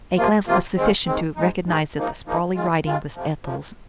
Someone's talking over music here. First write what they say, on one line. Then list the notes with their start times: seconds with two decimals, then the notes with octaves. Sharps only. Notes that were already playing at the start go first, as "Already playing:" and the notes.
A glance was sufficient to recognise that the sprawly writing was Ethel's.
0.18 C3 F3 A#3 F4
0.47 C3 F3 A#3 F4
0.77 D#2 D#3 G#3 C4
1.07 D#2 D#3 G#3 C4
1.36 G#2 G#3 D#4
1.66 G#2 G#3 D#4
1.96 G#2 F3 A#3 D#4
2.26 G#2 F3 A#3 D#4
2.55 D#2 D#3 G#3 F4
2.85 D#2 D#3 G#3 F4
3.15 F2 C3 F3
3.45 F2 C3 F3